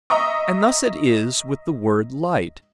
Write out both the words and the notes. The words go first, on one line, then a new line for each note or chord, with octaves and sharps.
And thus it is with the word light.
D#5 E5 A#5 C#6 D#6